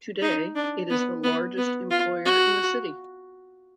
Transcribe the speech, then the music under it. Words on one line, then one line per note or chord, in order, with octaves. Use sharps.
Today, it is the largest employer in the city.
D#4
D4
B3
B3
B3
F4
F#4